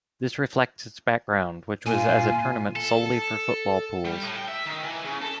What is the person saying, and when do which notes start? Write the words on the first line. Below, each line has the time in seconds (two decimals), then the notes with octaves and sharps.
This reflects its background, which was as a tournament solely for football pools.
1.86 A#2 F4 G#5
2.76 A4
4.05 G3
4.23 A2
4.36 G5
4.48 E5
4.66 D#3
4.84 E3
5.05 C#3
5.22 A4